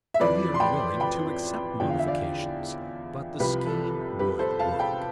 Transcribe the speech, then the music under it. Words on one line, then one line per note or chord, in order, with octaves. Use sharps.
We are willing to accept modifications, but the scheme would work.
E5
F2 E3 B4 D5
C6
G5 B5
G5 B5
E2 D3 F3 G5
F5
E5
D5 F5
C2 C3 F3 G4 B4
A4
G4 B4
A4 C5
F5 A5
G5 B5